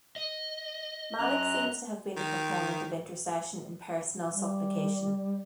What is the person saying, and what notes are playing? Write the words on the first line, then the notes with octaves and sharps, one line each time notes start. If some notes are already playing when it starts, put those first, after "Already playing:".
Malik seems to have been a proponent of intercession in personal supplication.
D#5
F#2 A#5 F#6
D#3
G3